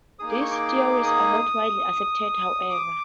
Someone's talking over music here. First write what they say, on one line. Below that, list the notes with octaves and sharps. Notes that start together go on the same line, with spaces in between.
These theories are not widely accepted, however.
A#3 D#4 G#4 D#6
D6
C#6
D6
D#6
D6